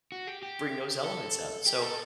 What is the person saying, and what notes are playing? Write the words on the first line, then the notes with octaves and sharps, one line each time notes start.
bring those elements out. So
F#4
G4
G4
A4
G4
A4